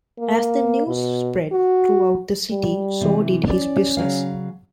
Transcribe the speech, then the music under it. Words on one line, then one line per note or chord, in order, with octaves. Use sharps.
As the news spread throughout the city, so did his business.
A#3
B2
F#4
G3
C3 E3
C#4 D5
C#3 F#3 F5